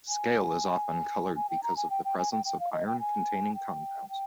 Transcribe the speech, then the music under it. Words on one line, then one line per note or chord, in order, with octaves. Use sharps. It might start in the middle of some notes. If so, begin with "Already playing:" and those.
Scale is often coloured because of the presence of iron-containing compounds.
G#5
G#5
G5
A#5
G#5
G5
G5
G#5
G5
G5
F5
D#5
G5
G#5
G5
G5